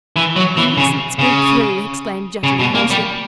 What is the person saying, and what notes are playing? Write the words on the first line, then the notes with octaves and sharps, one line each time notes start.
"I mustn't squeak through," exclaimed Jutterly, hoarsely.
E3
F#3
E3
C#3
C#3
C#3
B2
A#3
G3